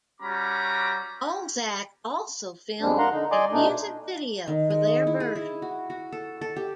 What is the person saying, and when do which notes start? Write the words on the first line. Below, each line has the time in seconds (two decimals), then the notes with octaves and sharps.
Balzac also filmed a music video for their version.
0.21 G3 C#4 F#4 A#5 B5 D6
2.81 F2 G3 G#3 C4 D4
2.98 A#4 F5 F#5 A#5 C6
3.12 D3 D#4
3.32 D5 D#5 G#5 C6 D6
3.52 B2 A3 D4 D#4
4.48 D#3
4.70 G#3
4.87 C#6
5.07 E4
5.20 G#4
5.36 E4
5.62 F#4
5.90 F#4
6.12 A4
6.41 A4
6.56 G4